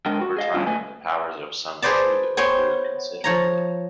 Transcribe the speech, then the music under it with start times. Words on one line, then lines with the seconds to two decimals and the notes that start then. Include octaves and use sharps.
Over time, the powers of some "shugo" grew considerably.
0.06 G#3 D4 A#4 D#5 G5
0.21 F#4
0.37 G#4 D#5 F5
0.54 F#3 G3 C#4 D4 E4 F4
0.67 A3 B4 D#5 G#5
1.82 G#4 B4 C5 D5 A5
2.37 B3 C5 C#5 G5 G#5
3.24 F3 C#5 A#5